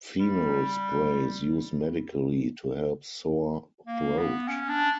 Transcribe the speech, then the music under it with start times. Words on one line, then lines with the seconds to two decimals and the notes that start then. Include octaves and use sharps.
Phenol spray is used medically to help sore throat.
0.19 G3
3.87 A#3
4.18 B3
4.48 C#4
4.69 D4